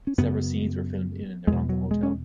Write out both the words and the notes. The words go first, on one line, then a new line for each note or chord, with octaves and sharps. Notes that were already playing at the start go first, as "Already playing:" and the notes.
Several scenes were filmed in and around the hotel.
C#4
F#2 C#3 B3
E2 B2 G#3
F#3
G#3
C#4